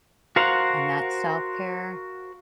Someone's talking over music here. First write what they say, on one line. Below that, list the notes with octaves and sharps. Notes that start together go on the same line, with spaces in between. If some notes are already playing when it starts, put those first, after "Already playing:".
and that's self-care,
F#4 A#4 C5 F5 F#5